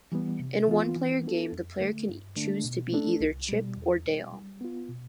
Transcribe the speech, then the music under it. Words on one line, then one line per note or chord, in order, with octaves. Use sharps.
In a one-player game, the player can choose to be either Chip or Dale.
E3 G3 B3
C3
E3 B3 F4
E3
B3 D4 F4 A4
F2
D3 A3
G2
D3 A3 D4
B2
A3 D4 A4
C2
B2 G3
E2
B2 G3
G3
B3 F4
B2